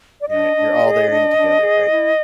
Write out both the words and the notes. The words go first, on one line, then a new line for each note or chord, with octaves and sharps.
ya you're all there in it together, right?
D5
D4 D#5
D4
G#4
D4
D4
G#4
E4